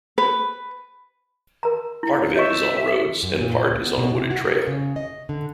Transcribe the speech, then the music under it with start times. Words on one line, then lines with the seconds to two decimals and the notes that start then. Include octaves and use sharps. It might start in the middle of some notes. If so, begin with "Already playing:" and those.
Part of it is on roads and part is on wooded trail.
0.18 B4
1.63 A#4 A#5
2.03 E4
2.36 C#5 D#5 E5 C#6
3.23 F#2
3.41 A#2
3.68 D2
3.84 B3
3.98 B2
4.15 C3
4.31 F#4
4.44 A#4
4.67 C#3
4.96 D#5
5.29 D3